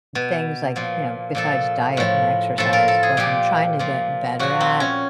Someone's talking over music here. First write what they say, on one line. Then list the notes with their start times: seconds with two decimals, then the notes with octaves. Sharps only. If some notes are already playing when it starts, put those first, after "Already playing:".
things, like, you know, besides diet and exercise, what I'm trying to get better at
0.15 B2
0.76 A#2 F3
1.35 A#2 F3 A4
1.97 A2 F3
2.58 A2 F3 A4
2.73 A#4
2.88 A4
3.03 G#4
3.17 A#2 F3 G4
3.79 A#2 F3
4.39 A#2 F3 F#4
4.60 C4
4.80 C#4